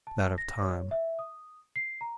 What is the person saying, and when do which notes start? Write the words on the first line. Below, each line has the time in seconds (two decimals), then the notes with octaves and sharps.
That of Time.
0.07 A5
0.38 A#6
0.62 C#5
0.91 E5
1.19 D#6
1.76 C7
2.01 A#5